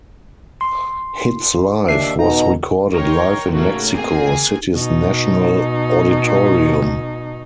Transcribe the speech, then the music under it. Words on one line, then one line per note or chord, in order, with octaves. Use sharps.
HitsLive was recorded live in Mexico City's National Auditorium.
C6
D#2 D4 E5 C7
B2 D#4 A#5
D#4 A#4 C#5 G5 C6
A2 C#3 A3 A#3 D#4 F#4
A#3 C4 G#4 G#5
B2 D#4